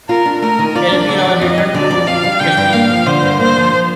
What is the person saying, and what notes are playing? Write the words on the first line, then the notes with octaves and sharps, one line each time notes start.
Elvira returned to Castile.
F4 A#4
D4
A3 A#4
D#3
F4 D5
D4
D3
F2
F2 D#5
G3
D3 D5
F2
F2 F5
G3
D3 G5
G2
A#3 F5
F3
D3 C5
G2
A#3 C5
F3
F3